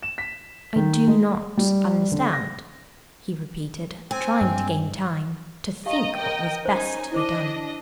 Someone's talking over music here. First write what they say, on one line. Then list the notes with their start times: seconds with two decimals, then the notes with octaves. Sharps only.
"I do not understand," he repeated, trying to gain time, to think what was best to be done.
0.03 E7
0.18 B6
0.76 D#3
1.08 G#3
1.57 G3
2.12 D3
2.33 A#6
4.11 C4 G#5
4.41 G2 G#3
5.86 G4 D#5 F5 G#5 A#5
6.15 A#4 D#5 G5
6.65 C#4 D#4 C5 G#5
7.12 D4 E4 C5 D#5 D6